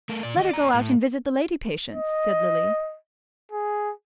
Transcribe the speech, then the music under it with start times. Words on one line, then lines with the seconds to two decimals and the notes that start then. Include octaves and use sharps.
"Let her go out and visit the lady patients," said Lily.
0.09 A3 A#4
0.23 A#2 D5
0.36 D#2 D#5
0.49 D5 A#5
0.74 A2
1.94 D#5
3.52 G#4